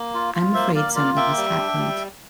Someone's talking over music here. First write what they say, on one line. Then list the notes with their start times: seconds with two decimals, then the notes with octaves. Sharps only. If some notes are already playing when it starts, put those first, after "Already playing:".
I'm afraid something has happened.
Already playing: A#3
0.14 F4
0.35 F4
0.54 A#3 C5 E5
0.75 A#3 D5 F5
0.95 F4 D5 F5
1.16 A#3 E5 G5
1.37 G3
1.58 D4
1.78 G3